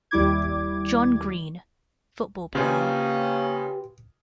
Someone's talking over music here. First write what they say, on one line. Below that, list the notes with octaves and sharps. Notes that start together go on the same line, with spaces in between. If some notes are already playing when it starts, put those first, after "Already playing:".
John Green - football player.
D#2 G3 E4 D6 G#6
C#3 A#3 C#4 F4 G4 G#4 B4 C5